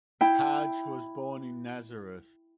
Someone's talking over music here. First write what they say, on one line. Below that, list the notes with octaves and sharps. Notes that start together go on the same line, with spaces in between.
Haj was born in Nazareth.
E4 G5